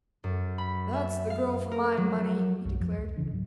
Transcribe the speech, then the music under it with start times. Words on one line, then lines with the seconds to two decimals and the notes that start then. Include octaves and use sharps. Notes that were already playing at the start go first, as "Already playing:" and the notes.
"That's the girl for my money," he declared.
0.24 F#2
0.58 B5
0.93 E5
1.30 F5
1.71 A#4
1.97 F#3
2.65 B1 F#2 F#3 G3
2.80 F2 F3
2.97 C#2
3.16 D#1 C#3 E3 D4
3.31 G#2 F#3